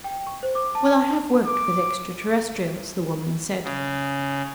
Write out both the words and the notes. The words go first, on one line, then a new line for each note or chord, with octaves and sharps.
"Well, I have worked with extraterrestrials," the woman said.
G5
C#6
C5
D6
A5
D6
C#3